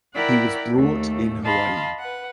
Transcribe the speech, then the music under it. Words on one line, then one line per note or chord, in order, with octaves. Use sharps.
He was brought in Hawaii.
E4 A#4 D5 F#5 G5 B5
D#2 A3
D#5 F5 A5 B5 C6
B4 F#5